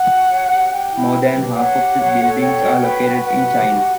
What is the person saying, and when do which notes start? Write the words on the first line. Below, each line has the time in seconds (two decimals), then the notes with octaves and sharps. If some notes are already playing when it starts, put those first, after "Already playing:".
More than half of the buildings are located in China.
Already playing: F#5
0.09 F#4
0.30 C#5
0.51 G4
0.72 G4 G5
0.92 E4
1.13 B4
1.35 G4
1.55 C#5 F#5
1.77 G4
1.98 C#5
2.19 A4
2.40 C#5 G5
2.61 F#4
2.82 B4
3.04 F#4
3.25 B4 F#5
3.46 G4
3.67 F#4